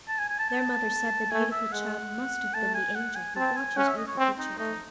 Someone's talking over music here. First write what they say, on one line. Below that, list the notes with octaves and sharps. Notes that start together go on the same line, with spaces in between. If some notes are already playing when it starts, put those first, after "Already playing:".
Their mother said the beautiful child must have been the angel who watches over good children.
A5
G#5
G#5
A5
A5
A3 G#5
E5
G#3 F#5
A3 A5
G#5
F#5
G#5
C4 A5
G#5
C#4 F#5
E5
D#5
C#5
C4
D#4
A3 D#4